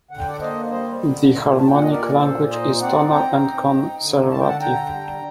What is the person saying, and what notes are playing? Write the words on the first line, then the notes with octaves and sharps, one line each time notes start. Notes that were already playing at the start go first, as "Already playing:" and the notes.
The harmonic language is tonal and conservative.
D3 F#5
G5
D5 F#5
A#3 C5 D#5
G3 C5 D#5
D3
A#2
A#2 A5
G5
F#5
D#5
A#2 A#4 D5
A#2 A4 C5
D#4 C5 D#5
C4 D5 F#5
C4 G5 A#5
D#4
D#4
D3
D3 A5
G5
F#5 A5
D3 G5 A#5
G3